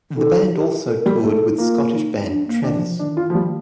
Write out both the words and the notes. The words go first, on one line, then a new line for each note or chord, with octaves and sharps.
The band also toured with Scottish band Travis.
D#3 A4
G4
A4
A#4
G3
A4
A3 A4
D#4
A#3 F4
D#4
D4
A#3
D#3 D4
F3
F3
D#3 D4
D#3
F4
D#3
F3
G3